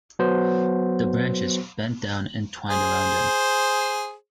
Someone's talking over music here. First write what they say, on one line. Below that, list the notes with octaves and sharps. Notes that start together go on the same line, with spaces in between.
The branches bent down and twined around him.
F#3 B3 F#4 C5
G#4 C5